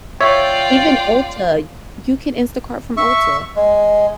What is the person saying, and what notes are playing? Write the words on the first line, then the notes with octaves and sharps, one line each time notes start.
Even Ulta you can Instacart from Ulta
F4 C#5 D5 E5 G5
E5 C#6
G#3